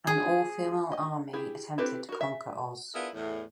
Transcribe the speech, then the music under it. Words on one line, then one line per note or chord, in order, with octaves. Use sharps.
An all female army attempted to conquer Oz.
G#4
D#5
E4 G4 G#4
C4 E4 G4 A4 B4
F#4 A#4
E5
B3 D4 E4 F4 G#4 A#4
E2 A2